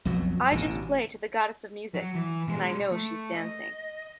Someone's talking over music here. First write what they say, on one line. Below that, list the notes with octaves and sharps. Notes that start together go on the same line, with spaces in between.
I just play to the goddess of music-and I know she's dancing.
B1 F2 B2 F#3
A1 B2 D3
F#3
E3
B2 G#3
A3
D#5